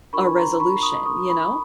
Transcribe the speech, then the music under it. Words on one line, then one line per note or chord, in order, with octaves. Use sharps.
a resolution, you know?
D4 F4 A#4 B5 C#6
A#5 C6
B5 C#6
C#6 D#6
C#6 D#6
B5 C#6